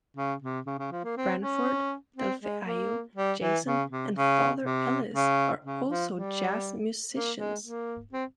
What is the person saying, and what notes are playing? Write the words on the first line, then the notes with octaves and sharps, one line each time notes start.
Branford, Delfeayo, Jason and father Ellis are also jazz musicians.
C#3
C3
C#3
C#3
F3
A#3
C4
C#4
C4
G#3
A#3
G3
E3
C#3
C3
C#3
C3
C#3
C#3
F3
G3
A#3
G#3
A#3
C4